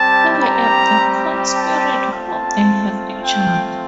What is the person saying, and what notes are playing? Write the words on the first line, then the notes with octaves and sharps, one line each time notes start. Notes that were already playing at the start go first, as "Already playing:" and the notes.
I am the corn spirit whom they have injured.
Already playing: G3 C4 G4 A5
A#5
A5
A3 C4 F4 A5
G5